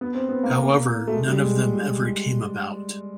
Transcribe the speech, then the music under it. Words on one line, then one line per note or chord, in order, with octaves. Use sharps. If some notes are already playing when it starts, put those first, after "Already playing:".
However, none of them ever came about.
B3
C4
B3
A#3
A3
G#3
G3
G#3